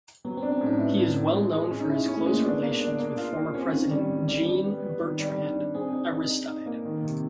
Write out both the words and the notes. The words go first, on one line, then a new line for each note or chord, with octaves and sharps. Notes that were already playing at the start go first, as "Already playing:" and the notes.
He is well known for his close relations with former President Jean-Bertrand Aristide.
F#3 B3
C4
D4
C#4
A2
D#4
B3 E4
A2
A2
G#3
G#3
C#4
D#4
C#4 E4
C#4
A3
G#3
A#3
B3 D4
A#3
D4
A#3
F4
A#3
C4 C#4
D#3
G3
D#3
G3
G3
B3
B3
D#3
G3
D4
D4
C4 G#4
D#4
D#4
D#4
D#4
A#3
D#3
C3